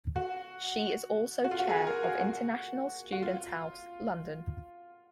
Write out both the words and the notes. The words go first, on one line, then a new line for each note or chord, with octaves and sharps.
She is also Chair of International Students House, London.
F#4
F#4
F4
F#4
G#4
A#4
F#4
F#4
F#4
F4